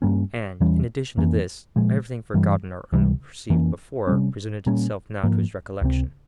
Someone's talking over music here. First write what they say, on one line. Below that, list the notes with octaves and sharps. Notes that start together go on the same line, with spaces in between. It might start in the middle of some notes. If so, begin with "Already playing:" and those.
And, in addition to this, everything forgotten or unperceived before presented itself now to his recollection.
G2 G3 A#3 C#4
E2 E3 G3 C#4
F2 E3 A#3 C#4
A#2 F3 G#3
G2 E3 G3
C#2 C3 E3 G3
F2 E3 A#3 C#4
C3 G3 C#4
A#2 G3 A#3 C#4
G#2 F3 A#3
C#2 C3 F3 C4